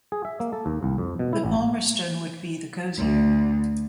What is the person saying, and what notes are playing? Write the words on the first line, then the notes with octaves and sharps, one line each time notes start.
The Palmerston would be the cosier.
G#4
E5
A#3
A4
D#2
C2
F2
B2
E4
A1
D2